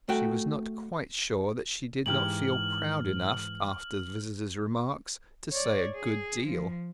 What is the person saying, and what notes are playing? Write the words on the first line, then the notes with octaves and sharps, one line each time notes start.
She was not quite sure that she did not feel proud enough, after the visitor's remarks, to say a good deal.
A3 F#4 G5
G#2 E3 G4 F6 F#7
C#5 D5
G#4
F3